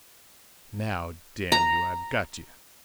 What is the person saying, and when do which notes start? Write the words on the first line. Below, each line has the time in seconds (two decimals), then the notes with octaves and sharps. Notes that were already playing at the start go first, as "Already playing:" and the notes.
"Now, damn you, I've got you!"
1.52 A#5